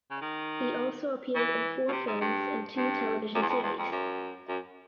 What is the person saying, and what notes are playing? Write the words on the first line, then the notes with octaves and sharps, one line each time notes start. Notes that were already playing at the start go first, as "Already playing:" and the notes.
He also appeared in four films and two television series.
C#3
D#3
E3
B2
C3
G#2
G2
G2
F#2
E2
F2
E2
F2
F#2
F#2